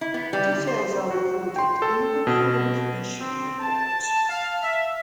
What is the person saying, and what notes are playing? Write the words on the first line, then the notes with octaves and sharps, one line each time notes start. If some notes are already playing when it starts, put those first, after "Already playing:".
Details are recorded in the Munir Commission Report.
E4
B3
G3
D3
C5
F#4
G5 C6
A4
B2
C4
A5
F5
E5